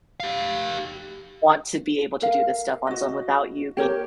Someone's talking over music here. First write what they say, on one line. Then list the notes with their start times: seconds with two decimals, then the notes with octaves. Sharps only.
want to be able to do this stuff on his own without you being,
0.20 G4 F5
2.22 A#4 F5
2.87 F#4 D#5
3.77 G4 A#4 C#5 G5